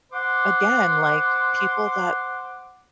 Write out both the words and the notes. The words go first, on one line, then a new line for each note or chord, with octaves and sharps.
Again, like, people that
C5 F#5 C6 D6